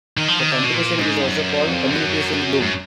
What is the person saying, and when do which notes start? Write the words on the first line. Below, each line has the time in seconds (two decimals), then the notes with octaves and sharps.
The competition is also called "Communities in Bloom".
0.17 D#3
0.28 F3
0.39 D#3
0.51 D3
0.62 B2
0.74 A#2
0.97 G#2
1.21 F#2
1.67 F2
1.90 F#2
2.61 F#2